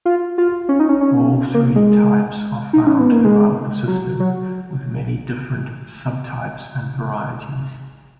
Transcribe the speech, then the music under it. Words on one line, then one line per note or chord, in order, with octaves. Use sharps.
All three types are found throughout the system, with many different sub-types and varieties.
F4
F4
C#4
D#4
C#4
C#4
A#3
G#3
D#4
C#4
B3
A#3
G#3
F#3
F#3